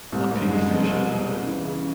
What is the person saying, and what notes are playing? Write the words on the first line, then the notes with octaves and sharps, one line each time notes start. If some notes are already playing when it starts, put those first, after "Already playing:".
a pink fishing rod."
C2 A2
C2
F#2
G#3
F#2
F2 B2
C2
C2
C#3
E3
C#3